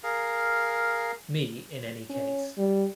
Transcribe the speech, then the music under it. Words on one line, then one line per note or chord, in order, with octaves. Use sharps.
Me in any case.
G#4 A#4 F5
C#4
G3